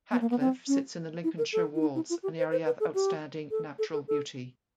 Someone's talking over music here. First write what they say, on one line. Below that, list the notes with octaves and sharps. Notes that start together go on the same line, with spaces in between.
Hatcliffe sits in the Lincolnshire Wolds, an Area of Outstanding Natural Beauty.
B3
A#3
B3
C4
C#4
E4
A#4
A4
E4
D#4
E4
F4
G4
C5
C5
B4
A4
G4
A4
A4
A4
A4